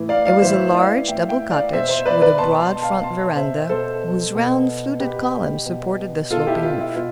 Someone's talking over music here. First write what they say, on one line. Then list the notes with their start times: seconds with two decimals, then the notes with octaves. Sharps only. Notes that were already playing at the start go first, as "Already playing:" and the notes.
It was a large, double cottage, with a broad front veranda, whose round, fluted columns supported the sloping roof.
Already playing: A2 E3
0.09 D5 F5
0.25 D5 F5
0.42 A2 E3 C5 E5
0.74 D5 F5
1.08 A2 E3 E5 G5
1.29 E5 G5
1.51 D5 F5
1.73 B2 C5 E5
1.89 C5 E5
2.06 B4 D5
2.22 B4 D5
2.38 B2 A5 C6
2.60 A5 C6
2.82 F5 A5
3.03 B2 A5 C6
3.36 C5 E5
3.69 B2 A4 C5
4.35 B2
5.00 B2 G4 B4
5.66 B2
6.31 B2 F4 A4
6.47 E4 G4
6.63 F4
6.80 E4
6.96 B2 F4